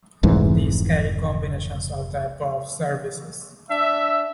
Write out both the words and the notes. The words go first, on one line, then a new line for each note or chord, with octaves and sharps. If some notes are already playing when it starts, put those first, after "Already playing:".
These carry combinations of the above services.
F1 C2 G#2 E3
D4 E5